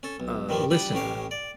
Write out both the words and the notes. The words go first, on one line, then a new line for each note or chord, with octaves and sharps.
uh, listener?"
C#4 A4
B1
G2 A#2 D#3 F3 G3 A#3
G3 D4 B5 D#6
A1 A2 C#4 G4 F5
D5